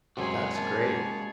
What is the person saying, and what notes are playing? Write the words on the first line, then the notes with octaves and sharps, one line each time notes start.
That's great.
F#2 C3 G#3 F#4 G#4 C#5
A#3 C#4 A5